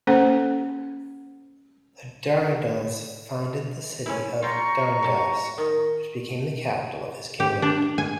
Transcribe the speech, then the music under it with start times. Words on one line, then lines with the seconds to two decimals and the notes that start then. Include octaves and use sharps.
There Dardanus founded the city of Dardanus which became the capital of his kingdom.
0.07 A#3 C#4 A4 C5 F#5
4.06 C#4 E4
4.42 F4 G5 A#5 C#6
5.02 A2 G4
5.58 D#3
7.40 G4
7.62 D4
7.98 G#5